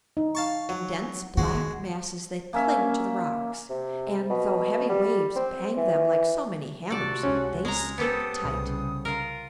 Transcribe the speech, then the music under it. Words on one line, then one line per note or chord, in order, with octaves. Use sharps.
In dense black masses they cling to the rocks; and, though heavy waves bang them like so many hammers, they stick tight.
D#4
F5 A5 C#6
F#3
D#3 G#3 F#4
A#3 C#4 E5
C3
B2
G3
C4
E3
C3 F4 F#4 A4 D5
C#2 C#4
G#3 A#5
B3 G4 A4 B4 C5 D#6
C2 C#3
F4 A#4